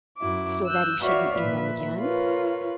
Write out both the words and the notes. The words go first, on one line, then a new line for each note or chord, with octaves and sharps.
"So that he shouldn't do them again?"
F#2 F#3 E4 D6
E6 F#6 G6
F#4 B4 C#5 D5 E5 F5
A#2 F3 B4 E5
F4 A#4 B4 C#5